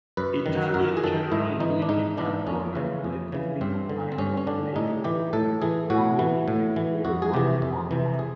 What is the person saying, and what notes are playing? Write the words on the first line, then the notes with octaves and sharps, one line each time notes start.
Italian General Luigi Cadorna allegedly applied decimation to underperforming units during World War One.
F#2 B4
D#3
F#2 A#4
G#4
D#3 A4
G#2 E4
E3 D#4
D4
G#2 D#4
E3 D4
F2 C#4
C#3 E3
F2
C#3 E3
G2 C4
D3
C4
G2 C#4
C#4
D3 D4
A2 D#4
E3 G4
A2 A4
E3 G#4
A2 F#4
E3
A2
E3
F2 F#4
G#4
C3 E3 G4
F2
C3 E3
G#4